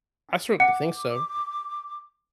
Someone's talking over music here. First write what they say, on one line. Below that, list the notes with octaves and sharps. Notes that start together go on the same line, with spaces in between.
I certainly think so.
F#5 D6